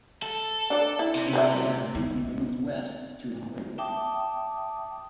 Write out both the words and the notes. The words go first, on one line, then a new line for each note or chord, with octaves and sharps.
Instead, he moved west to Hollywood.
A4
D4 D5
E4
C3
B4 C5 E5
B3 D#4
E5 G5 A5 D6 D#6